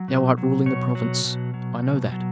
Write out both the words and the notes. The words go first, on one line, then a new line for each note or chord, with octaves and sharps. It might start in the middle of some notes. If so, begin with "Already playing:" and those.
Thou art ruling the province--I know that.
Already playing: F#3
B2
F#3
B2 C#5
F#3
B2
F#3
B2
F#3